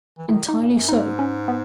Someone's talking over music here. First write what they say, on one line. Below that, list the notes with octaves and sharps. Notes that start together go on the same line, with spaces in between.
"Entirely so."
E3
D#3 E4
D#4
A#2
F#2
G#2 D#4
C#4
B3